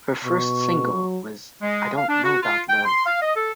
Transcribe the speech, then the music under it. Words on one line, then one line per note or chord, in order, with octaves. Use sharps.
Her first single was "I Don't Know About Love".
B2 C#6
F#3
G#3
F5
D4
F#4
F4
G5
C6
F5
D#5
A4